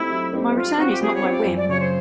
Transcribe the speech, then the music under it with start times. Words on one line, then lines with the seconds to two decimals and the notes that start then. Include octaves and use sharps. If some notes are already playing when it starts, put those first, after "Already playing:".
My Return is not my whim!
Already playing: A3 C4 D#4 E4 G4
0.10 F#3
0.33 A3 C4 D#4 G4
0.55 G3 F4
0.78 C4 F4 F#4
0.91 G4
1.01 G3 G#4
1.15 C#5
1.23 C4 F4
1.31 D5
1.45 F#2
1.57 D5
1.69 C#3 F#3 C#5
1.80 C5